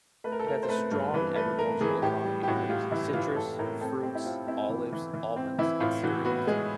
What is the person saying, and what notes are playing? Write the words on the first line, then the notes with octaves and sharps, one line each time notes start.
It has a strong agricultural economy, producing citrus fruit, olives, almonds and cereals.
A3 B4
A#4
A4
A3 A#4
C5
A3 B4
G2
E3 B4
A3 B4
A3 A#4
E3 G#4
A2 G4
G3
G4
A2 F#4
G3 F4
E3 E4
E3 F4
A2 A4
A2 A#4
C4 A4
C4 G4
E4
C4 F4
C4 E4
E3
E3
E3
C4
E3 E4
A2 F4
E3 F#4
B3 F#4
G#3 G#4